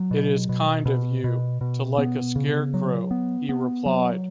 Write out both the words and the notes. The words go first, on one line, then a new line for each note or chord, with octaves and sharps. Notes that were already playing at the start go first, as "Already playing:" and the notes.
"It is kind of you to like a Scarecrow," he replied.
Already playing: F#3
B2
B2
B2
B2
B2
B3
C#3
F#3
B3
B3
F#3